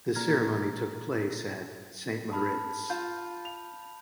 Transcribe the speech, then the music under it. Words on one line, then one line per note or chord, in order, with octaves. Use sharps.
The ceremony took place at Saint Moriz.
A#2 A#5 F6 G#6
A5 B5 F6
F4 G6
F7